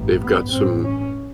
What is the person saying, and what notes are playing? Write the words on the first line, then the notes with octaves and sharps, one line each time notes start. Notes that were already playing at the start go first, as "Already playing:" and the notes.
they've got some
Already playing: A1 G2
B3
A1 G2 C4
C#4